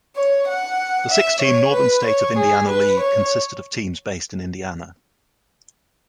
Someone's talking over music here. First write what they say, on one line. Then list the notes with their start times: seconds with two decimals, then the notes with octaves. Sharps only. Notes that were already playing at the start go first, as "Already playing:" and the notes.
The six–team Northern State of Indiana League consisted of teams based in Indiana.
0.16 C#5
0.47 F#5
1.11 E5
1.42 C#5
1.73 B4
2.05 C#5
2.38 G#4
2.69 B4
3.00 C#5